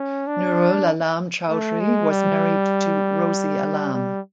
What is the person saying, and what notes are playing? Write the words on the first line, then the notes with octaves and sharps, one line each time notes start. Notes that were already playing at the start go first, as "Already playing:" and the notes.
Nurul Alam Chowdhury was married to Rosy Alam.
Already playing: C#4
D4
A3
G#3
G3
G3